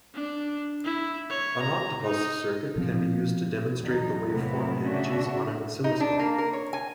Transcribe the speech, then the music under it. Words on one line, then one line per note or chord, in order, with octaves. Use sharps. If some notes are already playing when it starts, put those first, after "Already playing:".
An octopus circuit can be used to demonstrate the waveform images on an oscilloscope.
D4
E4
C#5
A#5
D#4
B2 F3 C4
E2 F#3 D#4
A2 C3 F#3 A#3 B3 E4
C#3 D4 F#4 E5
D#4
D4
A#3
A#4
C#5
G#5